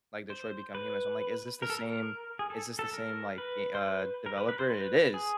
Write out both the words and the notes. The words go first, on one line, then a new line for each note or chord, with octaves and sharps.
like Detroit: Become Human, so I'm like is this the same is this the same, like, ga uh, developer, it is.
C5
B4
A#4
A4
A#4
G#4
A4
A4
A#4
B4
C5
B4
A#4
B4
B4
C5
B4
G#4